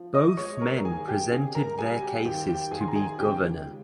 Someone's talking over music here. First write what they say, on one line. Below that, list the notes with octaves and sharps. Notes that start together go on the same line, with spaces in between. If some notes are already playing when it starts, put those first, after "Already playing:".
Both men presented their cases to be governor.
Already playing: F3
D#5 D#6
G#3 C#5 C#6
A#4 A#5
D#2 G#4 G#5
G4 G5
C#3 G#4 G#5
A#4 A#5
G3 G#4 G#5
G#5
G4 G5
D#2 G4 G5
G4 G5
D#2 G#4 G#5
C6
A#5
G#4 G#5
C#3 G4 G5
G#3